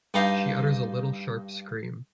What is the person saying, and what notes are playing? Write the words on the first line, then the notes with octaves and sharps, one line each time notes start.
She utters a little sharp scream.
G2 G3 D#4 D#5 F5 D#6